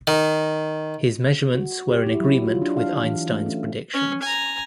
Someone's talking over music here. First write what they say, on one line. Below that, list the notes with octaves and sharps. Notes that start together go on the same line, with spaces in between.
His measurements were in agreement with Einstein's predictions.
D#3
F#4
G4
E4
F#3
F4
D4
F5
E3
A3
C#4
C#4
G#5 A#5